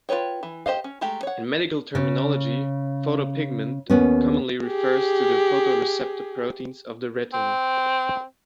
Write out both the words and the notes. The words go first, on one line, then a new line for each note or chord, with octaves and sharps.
In medical terminology, "photopigment" commonly refers to the photoreceptor proteins of the retina.
F4 A4 B4 C#5 G5
E3
G4 C5 D#5 F5
C#4
G#3 A3 G4 G5 A#5
C#5 F#5
C#3
D#2 B3 C#4
G4 G#4
C4